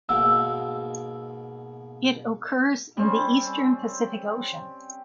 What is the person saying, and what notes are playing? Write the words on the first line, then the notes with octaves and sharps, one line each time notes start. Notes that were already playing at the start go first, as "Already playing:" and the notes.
It occurs in the eastern Pacific Ocean.
G#2 B2 A#3 E6
G3 C4 C#4